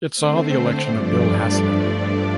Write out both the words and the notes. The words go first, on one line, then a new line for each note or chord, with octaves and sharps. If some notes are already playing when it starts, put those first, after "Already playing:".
It saw the election of Bill Haslam.
D3 A3 C4 C5
G2 F3 A3 D4 D5